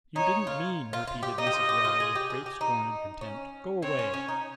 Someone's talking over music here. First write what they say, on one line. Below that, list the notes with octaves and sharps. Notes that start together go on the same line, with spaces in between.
'You didn't mean!' repeated Mrs. Raddle, with great scorn and contempt. 'Go away.
D#4 C#5
F4
F4
F4
G4
D#4 D#5
G4
F4
G4
F4
G#4
G4
G#4
G4
D#4
C#4
C4 C#5
C#4
C#4
D#4